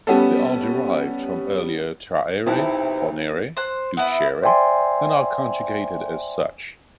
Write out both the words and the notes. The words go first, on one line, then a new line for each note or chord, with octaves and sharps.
They are derived from earlier "trahere, ponere, ducere" and are conjugated as such.
G3 B3 C#4 A4
B1 C3 D#4 E4 A5
C5 F#6
B3 E4
C5 D5 E5 G5 G#5 C6